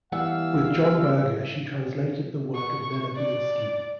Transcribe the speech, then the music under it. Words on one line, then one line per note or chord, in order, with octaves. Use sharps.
With John Berger, she translated the work of Nella Bielski.
E3 G3 B3 F5 F#5 E6
C#6
D5